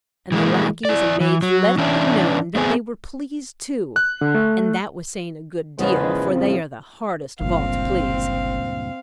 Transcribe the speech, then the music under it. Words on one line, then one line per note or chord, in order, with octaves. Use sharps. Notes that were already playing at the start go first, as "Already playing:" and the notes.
And the lackeys and maids let it be known that they were pleased too; and that was saying a good deal, for they are the hardest of all to please.
E3 G#3 A#3
E4 D5
E3
F#3
E3 C#4 D4 E4
A3 B3 C4 G#4
F#6
D3
A3
E2 A#2 C#3 F3 G#3 B4
F2 A2 C4
G1 C#2 G2 A#2 C4 F5